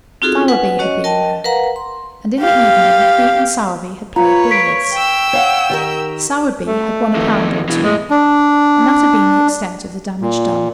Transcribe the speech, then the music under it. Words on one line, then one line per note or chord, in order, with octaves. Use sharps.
Sowerby had been there, and in the evening he and Sowerby had played billiards. Sowerby had won a pound or two, and that had been the extent of the damage done.
C4 D#4 F4 F#4 G#4 A4
B4 F#5 G#5
C#4 F#4 C#5 D#5
A#4 D#5 G5 A5
A#4 B4 F5 F#5 A#5
C6
G4 F5
F4 B4 C#5 F5 A#5
C#6 B6 D7
G5 E6
C#5 F5 F#5
D#3 G4 A#4
A3
F2 D#3
B2 E3
A2 G#3
D4
A#2